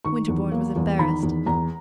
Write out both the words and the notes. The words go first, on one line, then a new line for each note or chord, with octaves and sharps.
Winterbourne was embarrassed.
D#3 C#6
E2
A#3
E2
D#3 B5
E2
E2 A#5